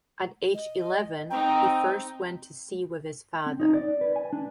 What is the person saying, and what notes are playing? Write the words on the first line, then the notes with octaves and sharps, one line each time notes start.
At age eleven he first went to sea with his father.
D#5
C4 D#4 G5 A#5
C4
D#4
D5
B4
G#5
D4